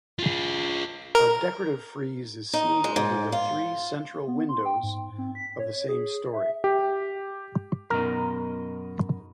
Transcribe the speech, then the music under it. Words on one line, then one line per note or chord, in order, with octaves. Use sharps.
A decorative frieze is seen over the three central windows of the same storey.
F4 G#4
A#4
D#4
G#3
G#2
F4
B3
C6
G5
G#2
C4
B6
C#5
C#5
G#4
E5
G4
F#2 B2 D#4 A#4